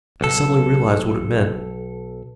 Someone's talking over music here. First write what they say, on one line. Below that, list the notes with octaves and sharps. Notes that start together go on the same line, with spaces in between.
They suddenly realized what it meant.
B1 A4